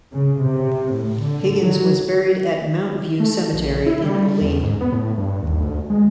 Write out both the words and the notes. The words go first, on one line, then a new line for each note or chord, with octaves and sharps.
Higgins was buried at Mount View Cemetery in Olean.
C#3
C3
A2
D3
F#3
A3
A#1
E4
G3
E2
G#2
B3
A2
G2
D#2
D2
G#3